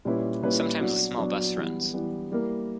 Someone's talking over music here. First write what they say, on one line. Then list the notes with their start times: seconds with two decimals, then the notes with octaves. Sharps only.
Sometimes a small bus runs.
0.05 A#2 G3 C#4 E4 B4
0.42 A#2 G3 C#4 E4 B4
0.80 F#3 B3 D4 F#4
1.18 F#3 B3 D4 F#4
1.56 E3 G3 B3
1.94 E3 G3 B3
2.32 G3 A#3 E4 A#4